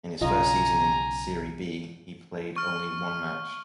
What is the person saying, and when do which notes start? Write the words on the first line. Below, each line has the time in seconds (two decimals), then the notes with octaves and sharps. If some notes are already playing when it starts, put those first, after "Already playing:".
In his first season in Serie B, he played only one match.
0.21 B1 C#3 F4 D#5 G#5 A#5
2.56 C#6 F6